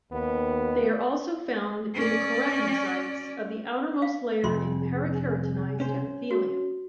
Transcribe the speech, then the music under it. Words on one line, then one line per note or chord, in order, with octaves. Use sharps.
They are also found in the keratinocytes of the outermost layer in parakeratinised epithelium.
D#2 B3
C#4 D5
F5
F2 C3 F4 G#4 C6
C#4 C5
F#4